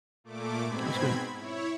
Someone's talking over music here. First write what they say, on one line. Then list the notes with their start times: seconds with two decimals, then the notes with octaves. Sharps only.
That's good.
0.24 A#2 A3 D6
0.65 G#2 B2 C4 B5 G#6
1.35 E4 C#5